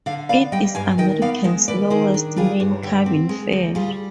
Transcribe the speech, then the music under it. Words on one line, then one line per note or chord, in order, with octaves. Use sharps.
It is American's lowest main cabin fare.
D3 D5 F5
B3 D5 F5
G3 D#5 G5
G2 F5 G#5
D#3 D#5 G5
B3 D5 F5
G#3 C5 D#5
D#2 B4 D5
D#3 G#4 C5
D4
G3 F4 G#4
G2
D3 G4
C4
G#3
D2
G3 F4 G#4